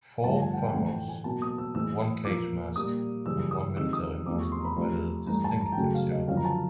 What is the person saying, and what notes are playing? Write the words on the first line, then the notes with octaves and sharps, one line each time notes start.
Four funnels, one cage mast, and one military mast provided a distinctive silhouette.
G2 D3 F3 A3 A5
G#5
F#5
G5
A2 E3 A3 F#5
G5
G#5
B2 F#3 A#3 A5
D#6
E6
A2 E3 G#3 E6
A#2 F3 A#3 D6
A#2 G3 A#3 D#6
F#2 C#3 E3 G3 E6
D#6
F2 C3 D#3 G#3 E6
D#6
E2 C3 F3 A3 D6
C#6
C6
A#5
B5
C3 F3 A3 A#5
G2 E3 A3 A#5
A5
A#5
G5
F#2 C#3 F#3 A3 G#5
F5
D#5
F#2 D3 F3 F5
A#5
A5